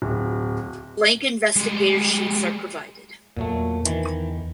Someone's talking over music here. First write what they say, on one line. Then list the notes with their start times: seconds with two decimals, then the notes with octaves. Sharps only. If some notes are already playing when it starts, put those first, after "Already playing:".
Blank Investigator sheets are provided.
0.02 D1
1.56 G3 G#3
3.37 E2 A#2 F#3 A3
3.85 D#3 E3